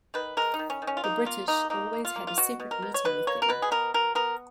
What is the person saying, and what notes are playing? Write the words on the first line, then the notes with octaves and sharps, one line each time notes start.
The British always had a separate meeting with them.
D#3 B4
G#3 A#4
D#4
D#3
C#4
D#3
C#4
F4
A#3 D#4
A#3 F4
A#3 D#4
A#3 D#4
A#3
F4
A#3
F4
B2 F#4
B2
A#4
B2
C#5
B2 B4
A#3 C#5
A#4
B2 B4
G#4
B3 A#4
F#3 A#4
B3 A#4